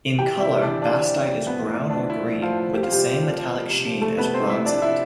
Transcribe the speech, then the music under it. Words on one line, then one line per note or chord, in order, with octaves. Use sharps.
In color bastite is brown or green with the same metallic sheen as bronzite.
E3 G4 G5
C3
E4 E5
C3
D4 D5
E3
E3 D4 D5
C3
C3
E3
F3 B3 B4
A2
E4
A2
F3 D4
F3 E4
A2
A2 F3 F4
F3
F3 G4
F4
C3 G3 G4
C3
F3
F3
C3
C3
F3
F3 A3 A4
C3 B3 B4
C3 C4 C5
F3 E4 E5
F3 D4 D5
C3 E4 E5